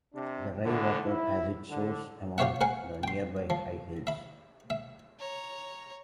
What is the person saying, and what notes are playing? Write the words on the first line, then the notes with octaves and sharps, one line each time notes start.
The Rye Water has its source among the nearby high hills.
C3 D4
E2 A2 D3
E4
D3
F4 G4 C5 C#5 E5 F#5
A#4 C5 F#5 G#5
G5 C6
F3
E5 B5
E5
C#5 A#5